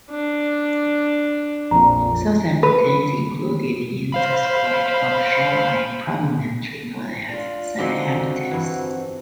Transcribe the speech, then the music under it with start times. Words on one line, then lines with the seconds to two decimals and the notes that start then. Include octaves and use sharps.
Southampton is included in the stretch of shoreline prominently known as The Hamptons.
0.11 D4
1.71 A#1 F2 A#2 A#5
2.63 B4
4.12 C5 F5 B5
7.29 D4 F4
7.78 F2 D3 G#3 C4 D#4 F#4 G4
8.51 G2 E3